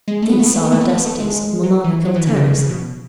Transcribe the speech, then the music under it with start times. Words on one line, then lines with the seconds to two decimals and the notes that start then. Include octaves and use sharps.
These are audacities of monarchical terrorism.
0.08 G#3
0.22 A3
0.30 B3
0.39 A3
0.46 B3
0.56 A3
0.64 B3
0.72 A3
0.81 B3
0.89 A3
0.98 B3
1.06 A3
1.20 G#3
1.63 F#3
1.84 E3
2.05 F#3
2.16 E3
2.27 D3
2.37 C#3
2.47 C#3
2.59 C#3
2.69 B2